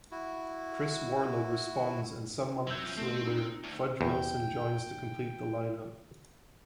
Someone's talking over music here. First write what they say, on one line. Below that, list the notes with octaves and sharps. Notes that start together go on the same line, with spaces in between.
Chris Warlow responds and some months later Fudge Wilson joins to complete the line-up.
E4 F#4
F#3 E5 E6 G6
F3 C#4
A3 C4
D#4
D2
E2 G5